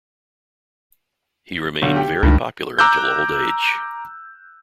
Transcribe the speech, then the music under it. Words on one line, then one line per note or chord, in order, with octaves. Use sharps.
He remained very popular until old age.
B1 D3
G4
C#2 G2 D#3
A#5 D6 E6 F#6 G6